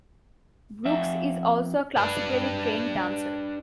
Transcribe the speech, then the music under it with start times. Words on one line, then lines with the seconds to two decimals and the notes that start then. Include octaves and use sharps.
Brooks is also a classically trained dancer.
0.85 F2 E5
1.97 D4 B4